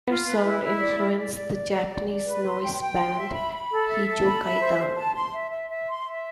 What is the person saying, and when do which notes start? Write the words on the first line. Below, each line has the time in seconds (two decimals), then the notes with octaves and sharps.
Their sound influenced the Japanese noise band Hijokaidan.
0.08 F4
0.26 B4
0.44 E4
0.63 E4
0.81 D5
0.99 D5
1.17 D5
1.35 D5
1.53 D5
1.71 D5
1.90 D5
2.08 D5
2.25 B4
2.44 C6
2.62 G5
2.80 G5
2.98 C6
3.16 E5
3.34 B5
3.52 B5
3.71 A4
3.89 E5
4.07 A4
4.25 B5
4.43 E5
4.61 C5
4.79 C5
4.97 A5
5.15 C6
5.34 E5
5.51 E5
5.70 E5
5.88 C6
6.06 E5